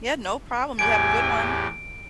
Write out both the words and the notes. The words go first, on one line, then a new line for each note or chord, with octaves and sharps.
Yeah, no problem you have a good one.
E2 A2 G4 G#5 D7